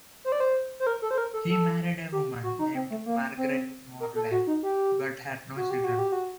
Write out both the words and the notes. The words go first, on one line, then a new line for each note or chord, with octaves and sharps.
He married a woman named Margaret Morlay, but had no children.
C5
D5
C5
C5
A#4
A4
C5
A#4
A4
A4
G4
F#4
D#4
C4
A3
A#3
C4
A#4
A4
F#4
D#4
G4
F#4
G4
F#4
G4
F#4